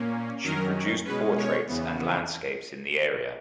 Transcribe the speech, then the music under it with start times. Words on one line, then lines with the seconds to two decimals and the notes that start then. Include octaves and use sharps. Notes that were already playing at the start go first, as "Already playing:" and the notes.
She produced portraits and landscapes in the area.
Already playing: A#2 A#3 C#4
0.43 F#2 D#3 F#3 C#4 A#4
1.05 B2 G#3 C#4 B4
1.37 C#5
1.67 E2 C#3 E3 B3